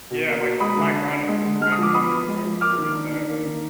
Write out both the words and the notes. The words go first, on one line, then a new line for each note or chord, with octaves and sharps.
Yeah, like, the black rhino is the main one I think about. That's really sad that
B2
A#3
B2
G#3 B5 D#6
D3
D4
D3
G#3
D3
G#3 F6
D#6
F3 D6
B3 B5 D#6
F3
G#3
F3
A#3 D6 F6
D#3
D4
D#3
A#3
D#3